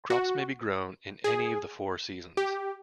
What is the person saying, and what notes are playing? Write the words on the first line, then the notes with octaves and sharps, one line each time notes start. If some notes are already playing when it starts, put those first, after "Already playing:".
Crops may be grown in any of the four seasons.
F#4
G#4
G4